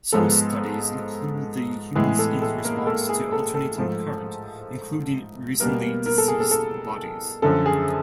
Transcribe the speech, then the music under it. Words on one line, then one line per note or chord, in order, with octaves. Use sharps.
Some studies include the human skin's response to alternating current, including recently deceased bodies.
G#2 F3 G#3 B3 A4
A2 E3 G#3 B3 G#4
A4
A4
A#3 A#4
A4
G#4
A4
A4
G#2 F3 A3
B2 G3 A#3 B3 A#4
A#4
A4
G#4
A4
A4
F#2 D3 F3 A4
G#4